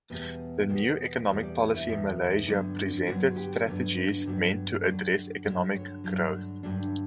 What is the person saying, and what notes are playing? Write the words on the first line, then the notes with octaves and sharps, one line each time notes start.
The New Economic Policy in Malaysia presented strategies meant to address economic growth.
E2 B2 G3 B3 B4
E2 B2 G3 B3
E2 B2 G3 B3 C#5
D5
C#5
E4
E2 B2 G3 B3
G2 D3 F#3 B3
G2 D3 F#3 B3 F#4
G4
G2 D3 F#3 B3 B4
G2 D3 F#3 B3
G2 D3 F#3 D5
G2 D3 F#3 D5
C#5
G2 D3 F#3 E4
D4
G2 D3 F#3 D4